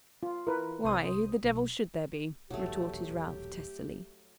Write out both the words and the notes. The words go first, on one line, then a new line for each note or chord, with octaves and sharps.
'Why, who the devil should there be?' retorted Ralph, testily.
F4
E3 A#4 B4
C2 C5 D#6
B1
D#1 B1 E2 F#3 A3 G4